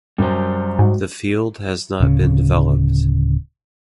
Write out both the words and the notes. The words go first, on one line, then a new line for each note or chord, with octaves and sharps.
The field has not been developed.
F#2 G3 C5
G#2 F#4
D1 C#3